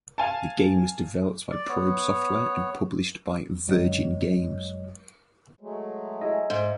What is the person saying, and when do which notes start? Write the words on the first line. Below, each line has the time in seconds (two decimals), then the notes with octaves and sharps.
The game was developed by Probe Software and published by Virgin Games.
0.18 F5 G#5 A5
1.51 D5
1.69 B3 C#5
3.68 G1 F#2 F#3 G#3 C#5 D#5
5.61 F#3 G#3 A3
6.21 E4 G#4 D#5
6.50 G#2